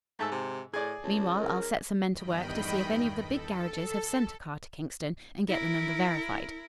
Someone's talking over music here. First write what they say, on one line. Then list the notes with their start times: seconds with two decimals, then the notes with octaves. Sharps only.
Meanwhile, I'll set some men to work to see if any of the big garages have sent a car to Kingston, and get the number verified.
0.19 G#2 A3 A5 E6
0.31 C3
0.74 A2 G#4 D5
1.04 C#2 A5
1.38 A#4
2.12 E2 G2 D#3 D#5 G5 B5
3.16 A4
5.48 E4 A#4